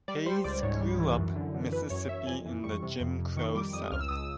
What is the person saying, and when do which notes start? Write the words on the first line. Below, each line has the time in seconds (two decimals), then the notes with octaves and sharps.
Hayes grew up Mississippi in the Jim Crow south.
0.08 G3 D5
0.26 G3 C5
0.44 C#2 D5
0.63 G#2 C#5
0.81 G3
0.99 E3
1.18 F#2
1.36 D3
1.54 F#2
1.72 E3 B4
1.90 F#2 C#5
2.09 F#2 E5
2.27 F2 G#5
2.45 E3
2.64 G3 C#6
2.82 C3
3.00 F2
3.19 F2
3.37 D#3 C#6
3.55 G3 D6
3.73 F2 D#6
3.92 C#2 F6
4.01 E6
4.08 C#2 D#6
4.17 E6